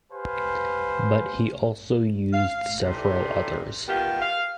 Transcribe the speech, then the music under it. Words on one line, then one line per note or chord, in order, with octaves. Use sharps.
But he also used several others.
G4 B4 C5 F5 G#5
F5
C3 E3 G3 D#4 A4
D#3 B3 F4 G4
F5